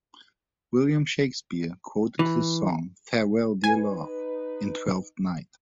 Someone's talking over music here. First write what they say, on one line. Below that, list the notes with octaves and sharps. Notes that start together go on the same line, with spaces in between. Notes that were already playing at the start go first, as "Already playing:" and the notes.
William Shakespeare quoted his song, 'Farewell, dear love', in Twelfth Night.
E3
D#4 B4 G#5